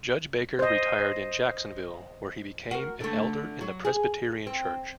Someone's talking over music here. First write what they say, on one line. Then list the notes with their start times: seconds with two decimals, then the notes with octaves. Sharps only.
Judge Baker retired in Jacksonville, where he became an elder in the Presbyterian church.
0.59 C5 D#5
2.71 F#4 A#4
3.01 D3 A3
3.61 F#3
3.85 G#4
4.47 C4